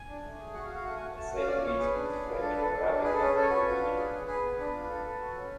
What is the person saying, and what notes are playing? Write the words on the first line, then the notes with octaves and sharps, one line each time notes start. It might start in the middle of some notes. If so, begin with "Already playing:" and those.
Essediri speaks French, Arabic and Norwegian.
Already playing: G#5
D4
A3
G#4
F#4 F#5
F5
F#4
F5
A3 F#5
G#5
A3
A3 A5
F#5
C#4
F5
C#4 D5
D5
C#4 C#5
G#4 B4
D4
G#4
F4
D4 A4
A4 B4
A4
D4
D4
G#4 B4
A4
C#4 B4
C#4 A4
C#5
F#4 B4
F4
D4
G#4
G#4
G#4 B4
B3
D4 B4
F4
A4
A4
F#4
C#4